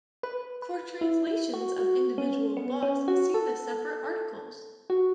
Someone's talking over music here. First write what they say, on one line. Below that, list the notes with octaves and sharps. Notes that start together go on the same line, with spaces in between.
For translations of individual books, see the separate articles.
B4
B4
E4
E4
F#4
F#4
C#4
B3
C#4
F#4
A4
F#4